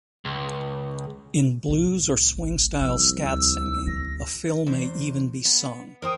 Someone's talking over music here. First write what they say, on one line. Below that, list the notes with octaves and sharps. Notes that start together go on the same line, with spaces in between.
In blues or swing-style scat singing, a fill may even be sung.
C#2
C2 A2
G#1
C2 F3 E6
D2 E6
D#3 A#6
E2 C5
B3
A#4 C5 G5 D#6